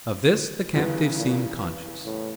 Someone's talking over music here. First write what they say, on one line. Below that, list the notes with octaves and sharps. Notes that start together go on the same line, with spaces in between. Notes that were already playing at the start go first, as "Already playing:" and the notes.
Of this the captive seemed conscious.
E2 G#2 C#3 E3 G3 B3
A#2
A2